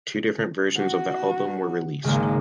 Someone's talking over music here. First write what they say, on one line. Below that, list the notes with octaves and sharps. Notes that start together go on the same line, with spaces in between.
Two different versions of the album were released.
F#4
G#1 C#3 G#3 A#3